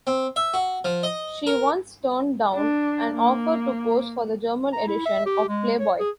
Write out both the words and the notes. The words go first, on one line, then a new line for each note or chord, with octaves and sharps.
She once turned down an offer to pose for the German edition of "Playboy".
C4
E5
F#4
F3
D#5
A#4
D4
A#3
A#5
E4
E5
G4
G#3
C#5
G#4